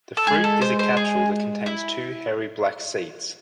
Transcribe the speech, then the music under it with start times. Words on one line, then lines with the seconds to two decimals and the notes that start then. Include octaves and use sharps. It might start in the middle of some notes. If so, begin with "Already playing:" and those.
The fruit is a capsule that contains two hairy black seeds.
0.17 A4
0.27 G#3 G#4
0.44 A4
0.62 C5
0.79 C5
0.97 G#4
1.66 E4